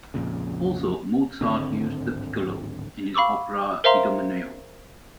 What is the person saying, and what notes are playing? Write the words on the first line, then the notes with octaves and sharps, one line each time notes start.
Also, Mozart used the piccolo in his opera Idomeneo.
A#1 F2 A#2 C#3
D1 G#1 D3 C4
F5 B5 C#6 D6 E6
A#4 C5 E5 F5 A#5 C6